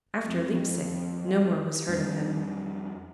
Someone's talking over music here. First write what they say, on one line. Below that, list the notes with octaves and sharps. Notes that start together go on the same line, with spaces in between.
After Leipsic no more was heard of him.
F2
F2 G3 A#3 D4